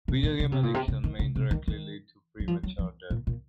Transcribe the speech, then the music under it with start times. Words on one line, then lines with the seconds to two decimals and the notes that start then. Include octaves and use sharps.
Video game addiction may indirectly lead to premature death.
0.08 C3
0.23 A#2
0.40 C#3
0.52 C3
0.63 A#2
0.74 C3
0.88 C#3
1.04 D#3
1.19 C#3
1.36 C3
1.51 D#3
1.68 D#3
2.40 F#3
2.48 F3
2.63 F#3
2.79 F3
3.10 A#2
3.27 A#2